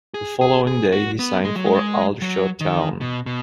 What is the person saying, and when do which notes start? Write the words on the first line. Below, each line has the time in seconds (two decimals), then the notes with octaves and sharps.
The following day he signed for Aldershot Town.
0.14 G#4
0.41 G#4
0.67 G#4
0.92 F#4
1.19 B3
1.44 G#3
1.56 F#3
1.66 G#3
2.22 F#3
2.61 D#3
3.01 B2
3.26 B2